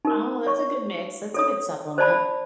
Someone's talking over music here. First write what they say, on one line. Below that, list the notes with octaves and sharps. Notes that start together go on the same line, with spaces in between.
Oh, that's a good mix. That's a good supplement.
D#4 A#4
C#5 C#6
A4 C#5 D#6
C5 D5 A5 B5